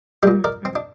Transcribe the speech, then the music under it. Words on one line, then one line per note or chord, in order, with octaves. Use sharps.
Mhm, mhm.
A#2 G3 D4 G4
A#4 D5
C4
D4